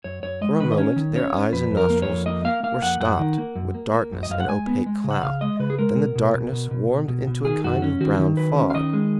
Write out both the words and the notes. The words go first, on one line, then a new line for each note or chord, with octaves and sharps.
For a moment their eyes and nostrils were stopped with darkness and opaque cloud; then the darkness warmed into a kind of brown fog.
F#2 C#5
F#2 C#5
G#3 D#5
D#3 B4
D#5
C#4 C#5
D#3
C#4 C#5
C#4
F2 B4
F2
A#4
A#3
C#5
F2
A#3 D#5
A#3 F5
A#3 F5
F2 F#5
F#2 F#5
D#3
A#3
F#2
A#3
A#3
F#2
D#5
F#2 F5
F#5
G#3 G#5
B3
G#3
C#3
F#5
C#3 F5
G#3 D#5
C#3 B4
G#4
G#3 A#4
B2
B2
B2
B2
B2
B2
B2
B2
D#3 G#4
F#2 F#4
C#4
D#3 F#4
D#3
F#3 B4
C#4
F5
D#3 D#5
G#3